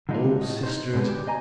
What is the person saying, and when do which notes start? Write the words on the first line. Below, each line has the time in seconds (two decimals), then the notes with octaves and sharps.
Oh! sisters!
0.09 D3 G3 G#3 D#4 F4
0.41 A2 D#5
0.63 D#4 C5
0.93 A2 D3 G#3 B3
1.07 D2 G4
1.27 C5 D#5 G#5 A#5